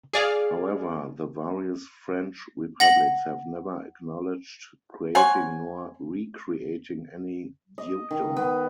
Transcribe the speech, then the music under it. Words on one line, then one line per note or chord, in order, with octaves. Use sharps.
However, the various French Republics have never acknowledged creating nor re-creating any dukedom.
G#4 D5 F5
F#5 A#6 F#7
C5 C#5 F#5 G#5
D#5
D#3
B3